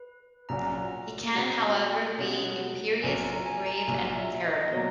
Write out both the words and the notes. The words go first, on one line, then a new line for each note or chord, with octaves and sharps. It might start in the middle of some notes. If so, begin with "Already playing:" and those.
He can, however, be imperious, grave, and terrible.
Already playing: B4
A#1 A#2 F#3 C#4 F#4 A#5
B2 G#3 C#4 F#4 A#5
B2 G#3 C#4 F#4
A#1 A#2 F#3 G#5
A#5
G#5
A#5
A#1 A#2 F#3 G#5
E5
D#5
B2 F#3 A#3 C#5